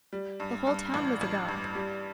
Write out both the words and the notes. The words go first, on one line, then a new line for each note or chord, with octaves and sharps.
The whole town was agog.
G3
G2
G2
A1
A1
G2
G3